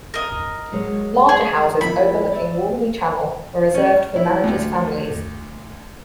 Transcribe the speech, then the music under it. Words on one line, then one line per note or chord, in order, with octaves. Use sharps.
Larger houses overlooking Walney Channel were reserved for managers' families.
A#4 D#5
F#3 G#3 C#5
G#4
F3 A#3 E4 B5
D5 E5
C#4
E4
D2